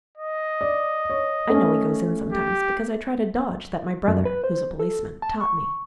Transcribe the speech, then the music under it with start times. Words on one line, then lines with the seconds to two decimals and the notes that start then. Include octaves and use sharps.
I know he goes in sometimes because I tried a dodge that my brother--who's a policeman--taught me.
0.18 D#5
0.61 D5
1.10 C#5
1.50 A3 C#4
2.32 G4
4.08 F#2
4.25 B4
4.44 C5
4.80 A4
5.22 A5
5.41 C#6